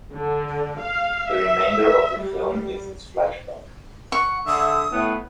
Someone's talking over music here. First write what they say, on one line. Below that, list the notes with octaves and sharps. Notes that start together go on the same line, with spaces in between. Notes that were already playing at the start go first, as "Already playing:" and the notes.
The remainder of the film is his flashback.
D3
F5
E5
G3
F#5 C#6
D3 E5 D#6
A2 B3